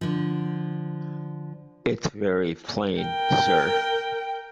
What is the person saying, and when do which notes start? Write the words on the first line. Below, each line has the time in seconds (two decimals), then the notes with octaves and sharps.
It's very plain, sir.
0.01 D3 F3
2.99 A#4 G5